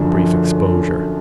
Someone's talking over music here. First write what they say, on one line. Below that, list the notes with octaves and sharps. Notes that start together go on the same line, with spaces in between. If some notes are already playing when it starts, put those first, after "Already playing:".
Brief exposure.
Already playing: F#2 D3 F3